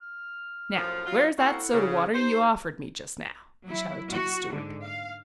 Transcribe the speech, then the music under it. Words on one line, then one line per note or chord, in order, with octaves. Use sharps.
"Now where's that soda water you offered me just now?" he shouted to the steward.
F6
F#2 A2 F3
F#3 F4
A#3 C4 E4 F#4 A4 F#5
C#3
D#4 G4 C5
F#3 E4
F#4
G#2 D3
F5